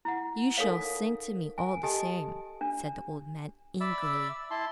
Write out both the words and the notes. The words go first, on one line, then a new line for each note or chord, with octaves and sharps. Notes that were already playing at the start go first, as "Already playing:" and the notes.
"You shall sing to me, all the same," said the old man, angrily.
E4 F#5
D#4 A4 A#4 C#5 F5
G#5
G4 A4 D#5 G#5 A5
D4
D5 E5 B5 E6
E4 A5 C6